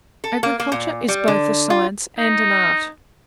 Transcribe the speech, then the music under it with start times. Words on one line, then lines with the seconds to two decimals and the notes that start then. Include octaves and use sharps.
Agriculture is both a science and an art.
0.24 A4
0.43 A#3
0.60 A#3
0.72 A#2
1.08 G3
1.28 D3
1.70 F4
2.19 D#4